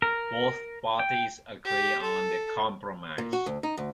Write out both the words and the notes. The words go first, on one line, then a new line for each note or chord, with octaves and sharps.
Both parties agree on the compromise.
A#4
G5
G4
A4
A#2
F#4
D2
D#4
D2